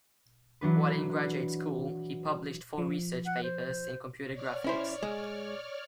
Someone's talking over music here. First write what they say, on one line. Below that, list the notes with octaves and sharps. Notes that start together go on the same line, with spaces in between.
While in graduate school he published four research papers in computer graphics.
E3 F#3 D4 B4
F3
F#5
C5
C#5 D5 F6
C#4 E4 C5
G#3